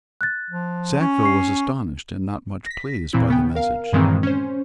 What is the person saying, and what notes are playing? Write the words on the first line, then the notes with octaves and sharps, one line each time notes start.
Sackville was astonished and not much pleased by the message.
F#6 A6
F3
C#4
C#6 C7
A#6 B6
A#2 E3 C4 E4
C#3 B3 G5
A#4 F5
G2 A#2 D#3 E3 G#3 C4
C#4 C5